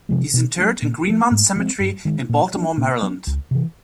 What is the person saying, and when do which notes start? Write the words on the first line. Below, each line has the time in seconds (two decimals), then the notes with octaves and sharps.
He is interred in Greenmount Cemetery in Baltimore, Maryland.
0.09 C3 F3 G#3
0.34 B2
0.58 F#3 A3 D4
0.82 A#2
1.07 F3 A#3
1.31 G#2
1.56 F3 G#3 C4
1.80 G2
2.05 D#3 G#3
2.29 A#2
2.54 F#3 A#3 D4
2.78 A#2
3.02 F#3 B3 D4
3.27 C#2
3.51 C3 E3